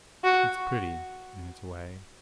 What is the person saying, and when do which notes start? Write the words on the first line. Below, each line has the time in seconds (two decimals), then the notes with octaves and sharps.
It's pretty in its way.
0.24 F#4